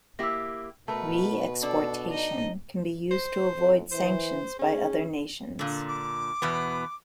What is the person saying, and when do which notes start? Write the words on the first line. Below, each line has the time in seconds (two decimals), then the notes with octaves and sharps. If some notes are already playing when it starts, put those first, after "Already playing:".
Re-exportation can be used to avoid sanctions by other nations.
0.19 A#3 E4 G4 E6 A#6
0.88 B2 A3 A#4 B4 A5
1.63 D4 A4 D5
2.10 D#4 D#5
3.11 C5
3.55 F2
3.92 E3 C5
4.59 C#4 G#4
5.59 A#2 D3
5.88 D6
6.42 E2 B2 B3